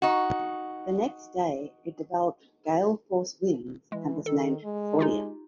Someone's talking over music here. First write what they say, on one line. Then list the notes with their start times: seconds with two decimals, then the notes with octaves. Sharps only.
The next day, it developed gale-force winds and was named Claudia.
0.02 D#4 F#4
3.92 E3 G#3
4.26 D#3 A4
4.64 G#3
4.99 D#4 F4 G4